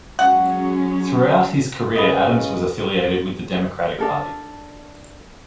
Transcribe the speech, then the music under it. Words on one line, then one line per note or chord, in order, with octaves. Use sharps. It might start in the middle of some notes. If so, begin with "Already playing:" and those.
Throughout his career Adams was affiliated with the Democratic Party.
F#3 G#3 C#4 F#5
C#3 B4 D#5
D4 A4 A#4